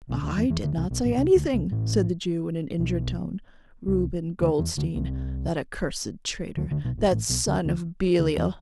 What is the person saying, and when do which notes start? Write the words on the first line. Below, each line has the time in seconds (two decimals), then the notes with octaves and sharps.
"I did not say anything," said the Jew in an injured tone, "Reuben Goldstein, that accursed traitor, that son of Belial . . ."
0.09 B1 B2
0.23 D2 D3
0.37 E2 E3
0.50 E2 E3
0.63 D2 D3
0.77 C2 C3
0.90 B1 B2
1.04 A1 A2
1.18 C2 C3
1.35 D2 D3
1.53 C2 C3
1.72 A1 A2
2.79 B1 B2
3.87 C2 C3
4.41 D2 D3
4.59 E2 E3
4.77 D2 D3
4.95 C2 C3
6.57 D2 D3
6.71 D2 D3
6.84 B1 B2
6.98 A1 A2
7.11 A1 A2
7.29 B1 B2
7.47 D2 D3
7.65 D2 D3
8.19 D2 D3
8.37 E2 E3